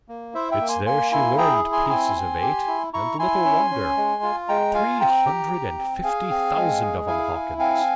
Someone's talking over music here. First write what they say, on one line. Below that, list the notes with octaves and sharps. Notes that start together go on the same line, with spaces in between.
It's there she learned 'Pieces of eight,' and little wonder; three hundred and fifty thousand of 'em, Hawkins!
A#3
E4 C5 E5
E5 G5
A#3
G#5 C6
A#3 G#5 C6
E4 G#5 C6
G#4 G5 A#5
E4
G#5 C6
A#5
C4 G#5 C6
C4
G4
E4
E4 A#5 C#6
E4 G#5 C6
C#4
C#4
G#3
F4
G#3 G5 A#5
F4 F5 G#5
C4 G5 A#5
G4
G4
C4
G#4 F5 G#5
C4
G#3
G#4
E4 F5 G#5
E4
C4 F5 G#5